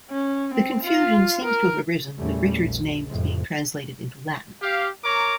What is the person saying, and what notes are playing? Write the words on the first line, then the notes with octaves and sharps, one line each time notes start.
The confusion seems to have arisen when Richard's name was being translated into Latin.
C#4
C4
F4
A#4
E2 A#2 G3 A3 C#4
A#1
F1 F2 A2 G#3
G4 F5
A#4 C#5 A#5 D6